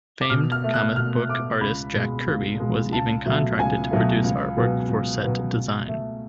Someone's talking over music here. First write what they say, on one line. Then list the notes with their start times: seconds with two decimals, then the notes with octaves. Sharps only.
Famed comic-book artist Jack Kirby was even contracted to produce artwork for set design.
0.21 D6
0.30 B2 F6
0.52 F6
0.64 A3
0.74 F#6
0.96 B2 F6
1.28 A3 D6
1.61 C#2 B5
1.95 B2 G#3
2.27 C#2
2.60 B2 G#3
2.92 C#2 A5
3.25 B2 F#3 A3
3.58 C#2 G#5
3.91 B2 F#3 A3
4.24 C#2
4.57 B2 F#3 B3
4.89 C#2
5.23 B2 F#3 B3
5.56 B2
5.88 A3